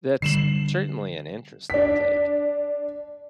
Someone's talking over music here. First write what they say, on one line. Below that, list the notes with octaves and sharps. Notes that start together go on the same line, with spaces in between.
That's, certainly an interesting take.
D3 G3 C7 E7 F#7
D4 B6